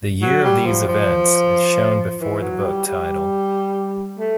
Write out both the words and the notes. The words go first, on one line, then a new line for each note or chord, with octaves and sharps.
The year of these events is shown before the book title.
F#3
G3
F3
F3
E3
F#3
G3
G3
A3